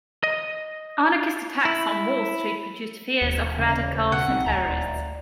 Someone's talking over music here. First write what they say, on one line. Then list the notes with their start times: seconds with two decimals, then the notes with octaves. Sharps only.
Anarchist attacks on Wall Street produced fears of radicals and terrorists.
0.23 D#5
1.65 E4
3.22 E1 D#2
3.58 C#3
4.12 B2 F#5
4.28 B1 C4 D#4
4.46 D#1 D2 D5 A#5